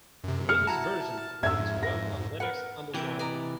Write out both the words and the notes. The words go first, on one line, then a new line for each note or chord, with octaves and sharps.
The Windows version runs well on Linux under Wine.
F#2 C3
F6 C#7
E4 F#4 A5 A#5
F2 G#2 E5 E6 G#6
A#6
A#4 B4 F#5
C3 E3 G4 A#4 E5
D5 D#5 A#5